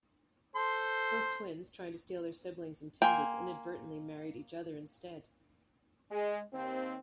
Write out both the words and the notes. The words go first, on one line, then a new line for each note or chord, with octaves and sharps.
Both twins, trying to steal their sibling's intended, inadvertently married each other instead.
A4 C5 C6
A#3 G5 G#5 C6
G#3
D#2 C4